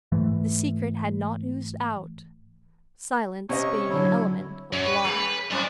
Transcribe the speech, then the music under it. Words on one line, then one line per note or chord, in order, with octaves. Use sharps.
The secret had not oozed out, silence being an element of law.
G#2 E3 A3
C3 C#4 C#5 D#5
D3 F#3 E4 C#5
F#2 C#5
B4
G3
G#2 C4 D5 B5